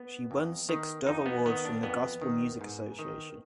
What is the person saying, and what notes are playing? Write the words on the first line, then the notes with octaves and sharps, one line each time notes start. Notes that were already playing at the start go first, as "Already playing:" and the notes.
She won six Dove Awards from the Gospel Music Association.
Already playing: B3
F2
D#3
F2 D#4
B3
D#3 B3
D4
F2 B3
D#3
G#2
D#3